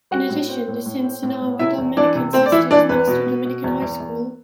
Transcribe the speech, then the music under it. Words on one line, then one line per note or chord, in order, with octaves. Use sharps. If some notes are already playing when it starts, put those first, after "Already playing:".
In addition, the Sinsinawa Dominican Sisters administer Dominican High School.
G3 F#4 F#5
A2
C4
A2
A2
C4
A2
A2
C3 E4 E5
E2
E3 D4 D5
C3
A3 C4 C5
D5
E3 E4 E5
E3 D4 D5
E2 B4
B2
B2
B2
E2
E2
E2